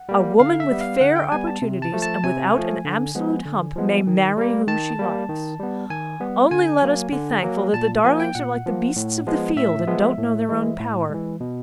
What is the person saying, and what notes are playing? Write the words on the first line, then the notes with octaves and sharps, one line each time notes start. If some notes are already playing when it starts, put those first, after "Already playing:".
A woman with fair opportunities, and without an absolute hump, may marry WHOM SHE LIKES. Only let us be thankful that the darlings are like the beasts of the field, and don't know their own power.
Already playing: F#5
G3 A#3
D3 F5
E5
G3 B3
F5
D3 F#5
G5
G3 B3 G#5
A5
C3
A5
F3 A3
A5
C3 G#5
F3 A3
D3
F3 G#3 B3
D3
F3 G#3 B3
D#3
G3 A#3
D#3 A5
G3 A#3
D#3
G3 B3
D#3 G#5
G3 B3
D3 G#5
F#3 A#3
D3
F#3 A#3
A#2 A5
F3 A#3 G#5
G5
A#2 F#5
F3 A#3
A2
F3 G#3 B3
A2 E5
F3 G#3 B3
A2
E3 G#3
A2
E3 G#3
B2